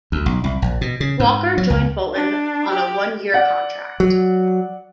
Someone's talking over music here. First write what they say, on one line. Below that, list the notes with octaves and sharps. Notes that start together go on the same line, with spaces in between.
Walker joined Bolton on a one-year contract.
D2
B1
C2
A#1
B2
C#3
G#2
F#3
C#2
D4
G4
D5 F#5
F#3